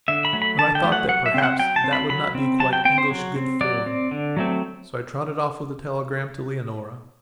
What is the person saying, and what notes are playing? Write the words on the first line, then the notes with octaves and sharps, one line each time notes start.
But I thought that perhaps that would not be quite English good form, so I trotted off with the telegram to Leonora.
D3 E5
B5
F#3 A3
B5
D3 A5
G5
F#3 A3
F#5
F#3 F#5
E5
C4 G5
F#5
F#3 G5
A5
C4
B5
F#3 B5
C4
F#3 A5
G5
C4 G5
C5
F#3
C4
F#3 D5
C4
D3
F#3 A3 C4